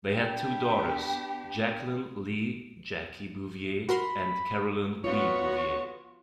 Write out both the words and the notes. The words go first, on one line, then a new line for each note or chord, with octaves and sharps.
They had two daughters, Jacqueline Lee "Jackie" Bouvier and Caroline Lee Bouvier.
B3 D4 G4
F#4 A#4 B5 C6
B3 F4 F#4 C#5